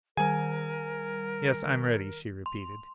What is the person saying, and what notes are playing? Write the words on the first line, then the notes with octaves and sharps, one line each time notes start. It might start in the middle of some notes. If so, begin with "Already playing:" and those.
"Yes, I'm ready," she repeated.
D#3 G3 A#4 G#5
C6